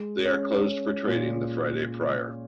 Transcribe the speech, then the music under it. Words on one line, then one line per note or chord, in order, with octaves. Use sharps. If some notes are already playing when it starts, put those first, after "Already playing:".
They are closed for trading the Friday prior.
Already playing: G#3
C#4
C#4
A#2